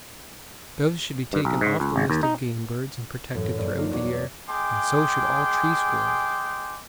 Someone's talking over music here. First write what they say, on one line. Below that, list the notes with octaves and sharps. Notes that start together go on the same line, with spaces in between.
Doves should be taken off the list of game birds, and protected throughout the year; and so should all tree squirrels.
G2
B1
G#2
C#2
G#1
D#2
D#4
F#2 A2 E3
G2 A#3 E4 D5
A#3 D4 D#4 F4 F#4
E2 F#4 C#5 D5 D6 E6
G#3 G#4 G5 C6 D6